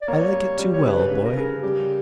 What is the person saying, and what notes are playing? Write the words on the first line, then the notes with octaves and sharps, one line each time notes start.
"I like it too well, boy."
D5
A#3 C#5
G3
G3
C#5
C#3 B4
C#3 B4
A#4
C#3
G3 G4